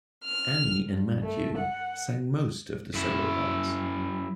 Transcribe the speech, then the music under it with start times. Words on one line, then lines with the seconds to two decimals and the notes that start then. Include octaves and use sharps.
Annie and Matthew sang most of the solo parts.
0.23 F6
0.86 G2
1.22 A3
1.56 F#5
2.94 F#2 E4